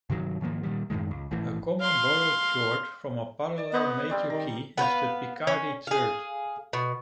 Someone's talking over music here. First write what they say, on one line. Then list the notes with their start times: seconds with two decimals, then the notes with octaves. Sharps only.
A common borrowed chord from a parallel major key is the Picardy third.
0.10 G2 C3 D#3 F#3
0.41 G#2 D#3 F3 A#3
0.63 A#2 D#3 G3
0.90 F#2 A2 D#3 G#3
1.11 C#2
1.31 G#1 A2 E3
1.81 F5 C6
3.58 D5
3.73 B3 B4 C5 D#5
4.09 G3 C4 D5
4.30 D#3 A#5
4.78 B3 B4 C5 F5
5.47 C#4
5.87 G#4 F5
6.73 B2